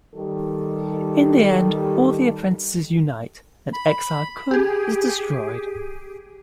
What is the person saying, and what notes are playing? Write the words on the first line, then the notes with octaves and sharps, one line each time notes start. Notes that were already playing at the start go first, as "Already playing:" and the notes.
In the end, all the apprentices unite and Exar Kun is destroyed.
D#3 G3 G4 A4
B5
G4 G#4